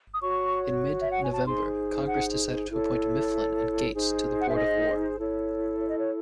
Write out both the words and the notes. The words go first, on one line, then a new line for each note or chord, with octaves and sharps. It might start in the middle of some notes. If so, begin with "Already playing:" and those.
In mid-November, Congress decided to appoint Mifflin and Gates to the Board of War.
D#6
F#4 C#5 C#6
E5
F#5
G#5
A5
D#4 G#4 C5 C6
F#5
E4 A4 C#5
D#4 G#4 C5
F#5
E5
D#5
E4 A4 C#5
C#5
D#5
C#5